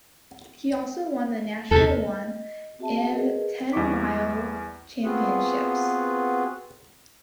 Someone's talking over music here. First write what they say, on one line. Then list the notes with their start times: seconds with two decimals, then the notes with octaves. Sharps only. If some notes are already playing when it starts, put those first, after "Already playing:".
He also won the national one and ten mile championships.
1.71 E2 C3 A4
1.92 D#5
2.79 B3 C4 F#4 G#4 E5 A5
3.12 G#4 A#4 B4 D#5
3.72 E2 G3 E4 C#6 D6 B6
5.04 B3 C4 F4 F#4 G#4 B4